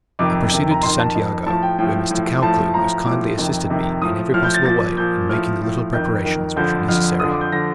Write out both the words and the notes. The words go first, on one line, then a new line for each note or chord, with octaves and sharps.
I proceeded to Santiago, where Mr. Caldcleugh most kindly assisted me in every possible way in making the little preparations which were necessary.
F2 C3 D#3 D6
F2 C3 D#3
A#5
F2 D#3 C6
A5
F2 D#3
A2 F3 A5
G5
A2 F3 G5
A2 F3
A2 F3 A5
A2 F3 A#5
A2 F3 D6
F2 C3 D#3
F2 C3 D#3
A2 F3 D#6
A2 F3 F6
G6
A6
A#2 F3 A6
A#2 F3 G6
A2 F3 F6
A2 F3
F2 D#3 G6
F2 D#3
F2 D3 F3 G6
F2 D3 F3 F6
F2 D3 F3 D#6
D6
G6
D3 F3 A#6